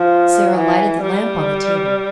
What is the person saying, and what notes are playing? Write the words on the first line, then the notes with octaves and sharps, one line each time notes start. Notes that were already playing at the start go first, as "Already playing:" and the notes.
Sara lighted the lamp on the table.
Already playing: F3
E3
G3